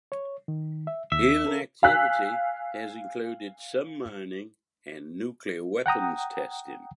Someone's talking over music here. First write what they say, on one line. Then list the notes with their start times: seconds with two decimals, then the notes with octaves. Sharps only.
Human activity has included some mining and nuclear weapons testing.
0.12 C#5
0.48 D#3
0.87 E5
1.12 D#2 E5
1.45 C#4 A4 A#4
1.83 F5 G#5 E6 F#6 B6
5.86 F#5 G5 A#5 D#6